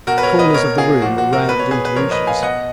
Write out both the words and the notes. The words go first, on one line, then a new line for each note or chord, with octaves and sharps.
The corners of the room were rounded into niches.
B2 F#4 A#4
B4
A#4 C#5
B4 D#5
B2 A#4 C#5
F4 G#4
A#2 F3 F#4
F#4
F#4 A#4
B2 B4
C#5
G#4 B4
B4
A#2 F3 A#4 C#5
B4 D#5
F5 G#5
B2 D#5 F#5